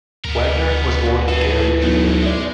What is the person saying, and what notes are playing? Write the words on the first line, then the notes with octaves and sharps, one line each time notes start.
Wagner was born in Gary, Indiana.
D2 B3 A#4
F#4
E3 G#4 A4
B1 G#3 A3
G#3 E4 D5